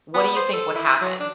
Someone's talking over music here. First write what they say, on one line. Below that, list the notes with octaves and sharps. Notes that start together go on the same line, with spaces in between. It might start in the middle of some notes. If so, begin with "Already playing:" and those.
What do you think would happen?
B3
C5
A4
E4
F#3
D4